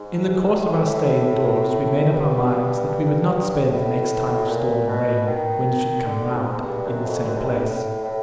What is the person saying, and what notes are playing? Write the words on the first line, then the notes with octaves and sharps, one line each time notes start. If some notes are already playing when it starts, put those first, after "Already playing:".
In the course of our stay in doors we made up our minds that we would not spend the next time of storm and rain, when it should come round, in the same place.
Already playing: G#2
A2
G2
A2
A#2
B2
D#3
D3
G#2
G2
F#2
F2
F#2
G#2
G2
A2
A2